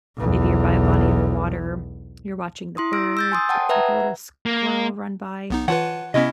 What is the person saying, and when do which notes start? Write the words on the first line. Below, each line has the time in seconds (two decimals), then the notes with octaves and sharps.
maybe you're by a body of water. You're watching the birds, or, like, a little squirrel run by.
0.17 B1 E2
2.77 E4 C6 D#6
2.93 E6 A#6 D7
3.17 E6 G6 A6
3.32 G#5 C6 D#6
3.49 F#5 G5 A5 D#6
3.69 B4 E5 F#5 A#5 G#6
4.46 A#3
5.50 B1 B3 D#4
5.68 E3 F4 B4 C#5 F#5 A5
6.14 C3 B3 C#4 E4 D#5